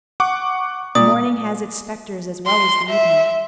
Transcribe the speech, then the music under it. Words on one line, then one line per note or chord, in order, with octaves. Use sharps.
The morning has its spectres as well as the evening.
F#5 C#6 D6
A#2 D5 D#6
C6
E5